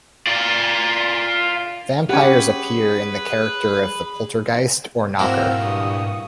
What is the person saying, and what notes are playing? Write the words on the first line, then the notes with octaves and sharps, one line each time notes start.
Vampires appear in the character of the poltergeist or knocker.
F4 D5
C#4 G4 G#4 B4 F#5
G#2 A#3 C4 E4 F#4 A#4 E6 F6
G2 C#6 D#6